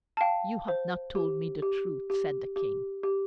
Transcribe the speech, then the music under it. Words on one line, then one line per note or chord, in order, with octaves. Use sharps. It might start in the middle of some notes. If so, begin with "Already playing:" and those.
"You have not told me the truth," said the King.
A5
F5 G5
C5
G4
G4
G4
G4
G4